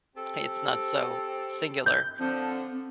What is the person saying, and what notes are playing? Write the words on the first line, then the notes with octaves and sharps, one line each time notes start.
It's not so singular.
C4 G4 A4
G6
D3 F3 C4